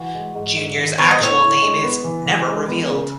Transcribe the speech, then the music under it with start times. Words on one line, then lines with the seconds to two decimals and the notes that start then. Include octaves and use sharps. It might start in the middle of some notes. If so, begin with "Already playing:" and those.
Junior's actual name is never revealed.
Already playing: E3 F#4
0.15 G#3
0.35 G#2
0.56 G#2
0.77 D#3
0.98 B3 C#5
1.11 D#5
1.20 A2 C#5
1.42 E4
1.62 G#3
1.83 B3
2.04 E3
2.26 E3
2.48 G#3
2.68 B3
2.89 C#3